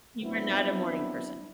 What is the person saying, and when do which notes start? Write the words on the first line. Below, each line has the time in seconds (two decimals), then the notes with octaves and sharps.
You are not a morning person?
0.23 F#3 B3 C4 D4 E4